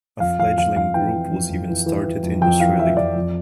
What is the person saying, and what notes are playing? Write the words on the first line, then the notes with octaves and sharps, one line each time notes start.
A fledgling group was even started in Australia.
F2 F5
F2 F5
F2 F5
F2 F5
E3 G5
E3
F2
F2
E3
E3
E3
F2
F2 G5
E3 F5
E3 E5
F2 D5
F2